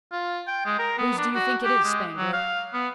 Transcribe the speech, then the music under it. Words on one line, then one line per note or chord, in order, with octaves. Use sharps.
"Whose do you think it is, Spangler?"
F4
G5
G#3
A#4
B3
D4
F#4
G4
G#3
F#3
F5
B3